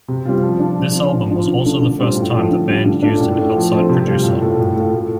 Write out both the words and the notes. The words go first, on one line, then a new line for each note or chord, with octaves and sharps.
This album was also the first time the band used an outside producer.
C3
G3 C4 F4
F3
D4 F4
F3
C4 F4
D3
F3 D4 F4
D3
A3 D4 F4
D3
G3 C4 F4
A2
F3 A3 F4
D3
G3 F4
D3
A3 D4 F4
A2
A3 D4 F4
F3
A3 C4
C3
G3 F4
A2
A3 F4
A2
A3 F4
A2